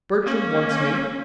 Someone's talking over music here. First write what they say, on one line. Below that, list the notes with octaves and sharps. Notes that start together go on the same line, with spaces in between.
Bertram wants me.
A#3 C#4